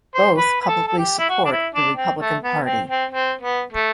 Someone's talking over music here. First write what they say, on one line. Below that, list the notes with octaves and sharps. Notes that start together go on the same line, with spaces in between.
Both publicly support the Republican party.
C5
B4
B4
A4
A4
G4
E4
F#4
D4
E4
D4
C4
A3
B3
C4
C4
C4
B3
A3